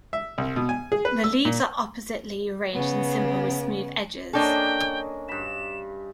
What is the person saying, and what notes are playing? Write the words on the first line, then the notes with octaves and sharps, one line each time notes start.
The leaves are oppositely arranged and simple with smooth edges.
E5
C2
B2
G#5
G#4
B4
E6
A#2
C#3 B3
A#3 C#4 D4 A4 D#5 G5
G2 B5 E7